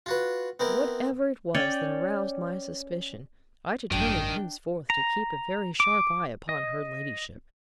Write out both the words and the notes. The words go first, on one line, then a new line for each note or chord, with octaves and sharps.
Whatever it was that aroused my suspicion, I determined henceforth to keep a very sharp eye upon her ladyship.
F4 F#4 B4
B3 C4 E4 A#4
C#4 C#5 D5 G5
G#1 F#2 D#3 D4 G5
A#5
D6
D#5